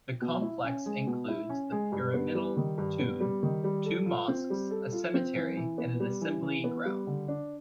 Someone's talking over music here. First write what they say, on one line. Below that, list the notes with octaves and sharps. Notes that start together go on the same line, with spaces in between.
The complex includes the pyramidal tomb, two mosques, a cemetery and an assembly ground.
B2
E4
C#4
G#3
B2
E4
C#4
G#3
G2
B3
G3
D#3
G2
B3
G3
D#3
G3
A4
F4
C4
G3
A4
F4
C4
E3
E3
B3
G3
E3
E3
B3
G3
D3
D4